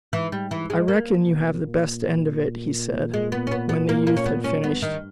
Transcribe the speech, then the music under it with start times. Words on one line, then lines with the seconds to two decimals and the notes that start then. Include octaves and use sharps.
"I reckon you have the best end of it," he said, when the youth had finished.
0.13 G#2 E3
0.32 G3
0.51 E3
0.70 G#3
0.88 A#3
1.26 B2
1.63 A#2
3.14 G#3
3.32 B3
3.47 C#4
3.51 B3
3.69 B3
3.89 A#3
4.07 A#3
4.17 C#4
4.26 B3
4.44 C#4
4.63 G2 B3
4.82 D#3